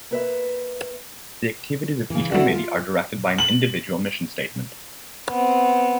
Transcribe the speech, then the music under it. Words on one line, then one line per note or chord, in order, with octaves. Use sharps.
The activities of each Committee are directed by an individual mission statement.
A#3 B4 E5
C#3 E3
A3 E4 F#4 A4 D5 F#5
F4
F#7
B3 C4